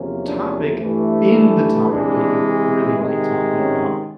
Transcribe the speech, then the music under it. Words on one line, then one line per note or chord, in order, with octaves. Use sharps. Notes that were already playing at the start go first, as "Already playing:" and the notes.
topic in the topic that you r really like talking about
Already playing: E2 C3 F3 A#3 C#4
D4
G2 E3 A3
C3 E3 G#3 D4
C3 D#3 G#3
C#4